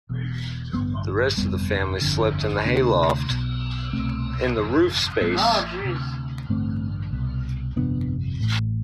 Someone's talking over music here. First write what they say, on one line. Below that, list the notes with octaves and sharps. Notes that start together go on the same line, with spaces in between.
The rest of the family slept in the hay loft, in the roof space.
E1 E2 B2
A1 G2 D3 G3 B3
G1 F2 C3 G3 B3
G1 F2 D3
D2 C3 B3 D4
B1 B2
C2 B2 A3 C4
G1 F2 C3
A1 A2 G3 B3
D2 C3
A1 G2 D3 A3 C4
C2 B2
G1 F2 C3 B3 D4
A1 A2